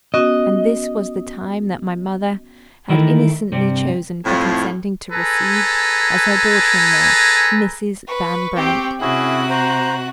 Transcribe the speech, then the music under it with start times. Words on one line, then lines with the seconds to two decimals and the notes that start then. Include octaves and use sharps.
And this was the time that my mother had innocently chosen for consenting to receive as her daughter-in-law Mrs. Van Brandt!
0.14 B3 C#4 F#4 D#5
2.89 D#3 E3 A3 D#4 E4 A#4
3.52 G2 C3 G3 C4
4.24 F2 A2
5.13 G#4 A4 B4 G#5 A#5
8.08 B4 C#6
8.56 C4 G4 G5
9.01 C3 C#4 E4 F#4 G#4 F#6
9.50 C5 A#5